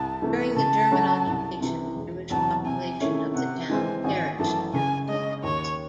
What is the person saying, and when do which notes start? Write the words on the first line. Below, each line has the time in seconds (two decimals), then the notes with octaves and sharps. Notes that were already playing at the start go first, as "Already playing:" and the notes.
During the German occupation the Jewish population of the town perished in the Holocaust.
Already playing: C2 A5
0.22 C3 E3 A3
0.56 C#3 A5
0.91 F#3 C#4 F#4 A4
1.27 C2
1.60 C3 E3
1.96 E1
2.30 E2 C3 F#3 A5
2.65 C3 G#5
3.00 D#3 A3 C#4 E4
3.35 C3 F#5
3.70 E3 G#3 C4 G#5
4.04 G#1 G#5
4.39 F#2 E3 A3 A5
4.73 C#3 G#5
5.08 G#3 C#4 D#5
5.43 D#2 C#5